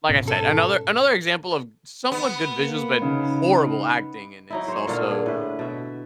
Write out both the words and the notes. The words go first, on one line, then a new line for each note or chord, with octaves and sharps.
like I said, another another example of somewhat good visuals but horrible acting and it's also
G#2 B2 C#4
A4
B3
A#3
C#3 D#4
F#3 D#4 E4
C5 C#5
A#2 D3 F5
G#4
A2 B4
B2 E5